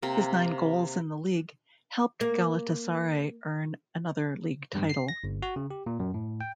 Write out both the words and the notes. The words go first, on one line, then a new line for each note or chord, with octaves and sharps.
His nine goals in the league helped Galatasaray earn another league title.
C3 A#3
A#3
G2
C7
A#6
G1
F#4
C#3
G4
A#2
F#2
A2
G5